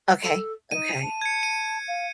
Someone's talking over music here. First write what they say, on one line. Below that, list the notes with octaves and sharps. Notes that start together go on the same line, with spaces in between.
Okay, okay.
A4
D#4 D#7
A5
G#6 C#7
D#7
F5